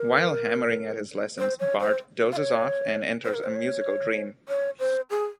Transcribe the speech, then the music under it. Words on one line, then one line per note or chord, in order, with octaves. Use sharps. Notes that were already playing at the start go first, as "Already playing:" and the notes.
While hammering at his lessons, Bart dozes off and enters a musical dream.
Already playing: A#4
C5
C#5
C5
F5
C#5
C5
A#4
C5
C#5
C#5
C5
G#4